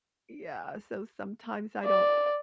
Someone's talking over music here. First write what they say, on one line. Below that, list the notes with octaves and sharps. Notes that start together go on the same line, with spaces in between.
Yeah, so sometimes I don't
D5